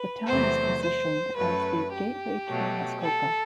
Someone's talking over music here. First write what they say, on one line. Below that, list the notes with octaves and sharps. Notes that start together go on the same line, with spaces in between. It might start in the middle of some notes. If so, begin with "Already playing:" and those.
The town is positioned as the "Gateway to Muskoka".
Already playing: B4
E2 C3 F#3 A3 C5
C5
F#2 F#3 A3 B4
G4
B2 F#3 A3
A4